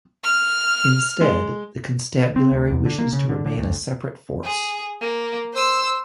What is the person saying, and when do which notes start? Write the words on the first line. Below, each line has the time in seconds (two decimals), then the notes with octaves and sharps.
Instead, the constabulary wishes to remain a separate force.
0.24 F6
1.21 G#3
2.36 C4
2.52 D2
2.71 E2
2.85 D3
2.98 A#3
3.13 C#3
3.29 D3
3.46 D3
3.58 D2
4.44 G#4
5.01 A#3
5.53 C5 E6